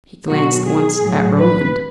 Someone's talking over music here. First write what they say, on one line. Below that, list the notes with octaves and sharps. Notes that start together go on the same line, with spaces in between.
He glanced once at Roland.
B2 F#3 F#4
G#4
A2 F#3
B4